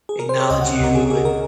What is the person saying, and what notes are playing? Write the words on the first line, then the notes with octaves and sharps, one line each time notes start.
acknowledge you, and
G#4
A#4
C5
C#5
C#2 D#5
C#3 F#5
C#2 A#4
C#3 G#4
C#2 G#4
C#3 A#4